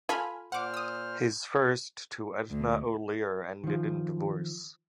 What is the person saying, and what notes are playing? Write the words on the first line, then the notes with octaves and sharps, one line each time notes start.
His first, to Edna O'Lier, ended in divorce.
F4 A4 G#5 B5 F6
A#2 C5 F#5 D6 F6
D#6 E6
D2
D#3 F3